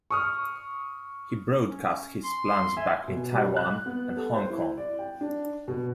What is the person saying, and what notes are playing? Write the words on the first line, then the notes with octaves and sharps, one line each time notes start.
He broadcast his plans back in Taiwan and Hong Kong.
C#6 D#6 F6
C#4
C6
E5 G#5
B2
G3
F#6
B3
A4
C5
E4
D5
G5
D4
B2